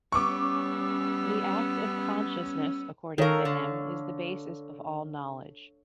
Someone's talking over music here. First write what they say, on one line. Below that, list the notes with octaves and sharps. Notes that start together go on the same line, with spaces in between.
The act of consciousness, according to him, is the basis of all knowledge.
G3 B3 C#4 C#6 D6 E6
D#3 A4 A#4 C#5 F5
D3